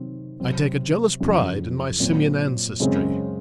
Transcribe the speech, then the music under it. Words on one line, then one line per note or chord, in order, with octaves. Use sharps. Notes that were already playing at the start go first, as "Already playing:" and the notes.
I take a jealous pride in my Simian ancestry.
Already playing: C3 D#3 F#3 C4
C3 F#3 C4
F2 C#3 F#3
A#2 F#3 C4
F#2 C#3 G#3 C4